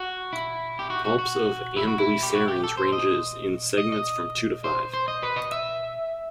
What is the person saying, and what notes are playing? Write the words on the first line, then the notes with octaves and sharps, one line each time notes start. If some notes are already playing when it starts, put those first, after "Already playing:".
Palps of amblycerans ranges in segments from two to five.
Already playing: F#4
E4
G4
F#4
F#4
F#4
E4
F#4
E4
G4
F#4
G4
A4
C5
D#5
D#5
D#5
C5
C5
D#5
B4
D#5
E5